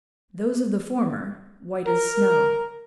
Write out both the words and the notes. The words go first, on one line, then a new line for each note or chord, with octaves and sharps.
Those of the former white as Snow.
A#4